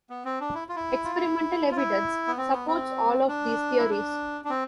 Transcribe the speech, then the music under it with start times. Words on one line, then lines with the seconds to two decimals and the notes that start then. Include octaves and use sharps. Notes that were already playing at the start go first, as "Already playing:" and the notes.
Experimental evidence supports all of these theories.
0.10 B3
0.25 C4
0.40 D4
0.55 E4
0.69 F4
0.76 E4
1.05 F4
1.15 E4
1.71 F4
1.77 E4
2.28 B3
2.38 C4
2.53 B3
2.68 C4
3.28 D4
3.78 E4
3.90 D4
4.45 D4
4.50 C4